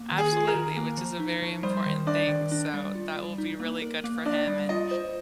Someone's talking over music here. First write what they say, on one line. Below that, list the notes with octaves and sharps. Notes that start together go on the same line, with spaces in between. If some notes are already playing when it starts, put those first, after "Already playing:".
Absolutely, which is a very important thing, so, that will be really good for him and
Already playing: A#3
D#3
G#4
F4
A#4
D#3
A#3
F3
D#4
F3
G3 C5
D#3
D4 D5
D#3
D4
G3
F4
G3
D#4
A#3
A#4
A#3
D4 D5
G3
F4 D#5
C5